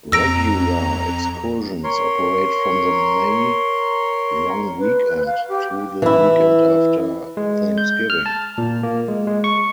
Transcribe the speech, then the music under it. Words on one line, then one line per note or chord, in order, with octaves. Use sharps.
Regular excursions operate from the May long weekend through to the weekend after Thanksgiving.
F2 A#5 E6 A#6 D7
A#4 C#5 C6
B4
F5
G4
E3 E4
G#3
G6
F6
A5
A#2
A#3
G#3
G#3
C#6